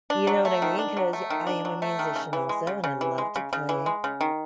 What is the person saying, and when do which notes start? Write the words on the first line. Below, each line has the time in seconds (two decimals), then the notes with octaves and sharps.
You know what I mean, 'cause I am a musician also, and I love to play,
0.10 D4
0.27 F#3
0.45 A3
0.62 D#3
0.79 D4
0.97 F#3
1.13 A3
1.30 D#3
1.47 D4
1.65 F#3
1.82 A3
1.99 D#3
2.16 C#3
2.33 E3
2.49 G#3
2.67 C#3
2.84 C#3
3.01 E3
3.18 G#3
3.36 C#3
3.53 C#3
3.69 E3
3.86 G#3
4.04 C#3
4.21 D#3